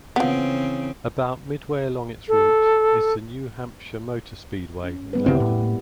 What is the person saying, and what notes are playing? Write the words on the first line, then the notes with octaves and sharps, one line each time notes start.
About midway along its route is the New Hampshire Motor Speedway in Loudon.
C#3 E3 F3 B3 C4
A4
C#4
G3 B3 B4
D2 C#3 C4 E4 G4
A2
A#3